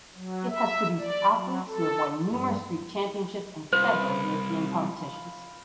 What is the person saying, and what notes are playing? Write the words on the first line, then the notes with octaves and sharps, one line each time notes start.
It has produced athletes who have won numerous Greek championships and several European competitions.
F#3
E5
D5
F#3
A4
G2
C2 F4 B4 C5